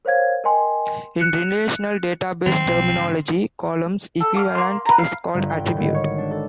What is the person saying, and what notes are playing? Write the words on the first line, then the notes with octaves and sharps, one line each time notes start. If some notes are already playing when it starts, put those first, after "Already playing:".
In relational database terminology, column's equivalent is called attribute.
A#4 C5 C#5 F5 G#6
A#4 D#5 G5 G#5 C6
F#6 C#7
D#3 F#3 G3 C4
B1 B2 F3
G#2 D3
A4
F5 D6 F6
A#3 C6
B4 A#5
F5
G1
G5
A2
G#1
C#5
D4
A4